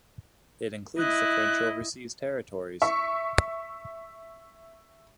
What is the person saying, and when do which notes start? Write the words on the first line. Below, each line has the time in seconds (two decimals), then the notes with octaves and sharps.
It includes the French overseas territories.
0.98 E4 D#5 F#6
2.82 E5 C#6